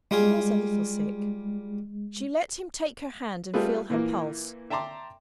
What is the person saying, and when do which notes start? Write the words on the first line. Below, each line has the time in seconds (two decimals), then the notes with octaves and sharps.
I was a little sick.' She let him take her hand and feel her pulse.
0.11 G3 G#3 F4 G#4
3.54 G3 A3 F4 G#4 B4
3.90 A#2 E3 A#3
4.70 E5 G5 A5 A#5 C6 D6